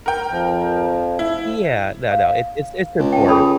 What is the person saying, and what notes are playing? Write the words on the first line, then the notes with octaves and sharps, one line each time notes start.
Yeah, no, no, it's it's it's important.
A#4 G5
F2 F3
E4
F5
C#2
G5 A5
G#4 A4 B5